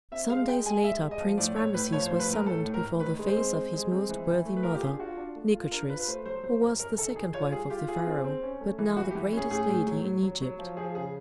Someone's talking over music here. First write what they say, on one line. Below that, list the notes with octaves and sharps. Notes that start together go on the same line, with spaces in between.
Some days later Prince Rameses was summoned before the face of his most worthy mother, Nikotris, who was the second wife of the pharaoh, but now the greatest lady in Egypt.
C4 E5
G#3 F5
G#3 G5
G#3 G#5
G#3 E5
G#3
D#5
F3
A2 D5
A2 C#5
A2 B4
F3 C#5
C5
A2
B4
A2 A#4
A2 A4
A2
A#4
A2
D#3 B4
G#3
C5
C4
C4
G#3
C4
E3
E3
A3
B4
F4 A#4
G4
D4 G#4
F4 F#4
D4
A3
F4
D4 A#4
F4 B4
B4
A3 C5
F#3 C5
F#3 C5
F#2 A#4
F#2 A#4
D#3 A4
D#3 G#4
F4 C#5
G3 G#4
F4 G4
F4 G#4
C4
C4
C#4
A3
E3
E3 F#4
G4
E3
C#4 G#4
A2 G#4
A2
F#3
F#3
F#3
F#3
F3
F3 G#4
C#3 G#4